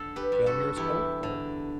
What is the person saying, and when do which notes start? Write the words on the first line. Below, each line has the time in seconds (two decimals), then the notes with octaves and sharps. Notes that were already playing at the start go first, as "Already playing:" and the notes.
film yourself or
Already playing: D3 A4
0.16 G4 B4
0.32 G2
0.46 F#4 A4
0.76 E2 E4 G4
1.23 D3